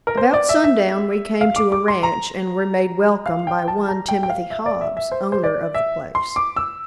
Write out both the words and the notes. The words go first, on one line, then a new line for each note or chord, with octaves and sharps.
About sundown we came to a ranch and were made welcome by one Timothy Hobbs, owner of the place.
A#4
C5
D5
E5
E5
F5
D6
D6
C6
A#5
F5
G5
A5
A#5
G5
G5
F5
E5
D5
E5
E5
C5
C5
D5
E5
C6
D6
E6